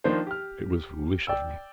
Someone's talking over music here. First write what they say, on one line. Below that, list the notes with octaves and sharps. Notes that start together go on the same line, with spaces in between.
It was foolish of me.
D#3 F3 A#3 D4 D#4 C5
G4 F6
D5 G5 E6